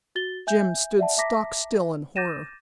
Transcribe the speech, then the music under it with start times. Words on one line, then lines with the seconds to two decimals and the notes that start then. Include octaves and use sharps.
Jim stood stock still in horror.
0.15 F#4 A6 G7
0.47 E5 G#5 G6
0.99 D5 E5 F#5 A5
1.17 E5 A5 A#5 D6 A#6 B6
2.16 D6 G6 A6 A#6 D#7 E7